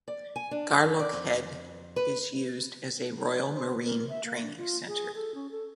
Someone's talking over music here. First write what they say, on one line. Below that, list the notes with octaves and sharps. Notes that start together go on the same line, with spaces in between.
Garelochhead is used as a Royal Marine training centre.
D5
G#5
D4
F#2
D5
F2
B4
D5
C5
A#4
E5
A#3
D4
F4
G#4
A4
C#4
A4